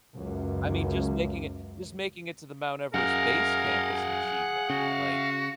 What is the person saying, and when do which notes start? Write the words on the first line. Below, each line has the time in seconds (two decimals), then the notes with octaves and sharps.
I mean, just making it, just making it to the Mount Everest base camp is an achievement, like,
0.14 C#2 F#2
2.94 F#2 G#4 A#4 F5 F#5
4.70 C#3 F#4